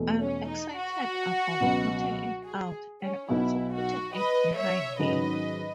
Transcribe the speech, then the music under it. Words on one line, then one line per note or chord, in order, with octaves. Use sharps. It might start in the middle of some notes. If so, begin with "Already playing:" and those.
I'm excited about putting it out and also putting it behind me.
Already playing: E2 B2 A3
C#4
D#4
F#4
C#2 B2 F#3 B3
G#4
C#4
B1 B2 F#3 E4
F#4
B4 D#5
C#5 E5
G#2 D#3 F#3 C#4 B4 D#5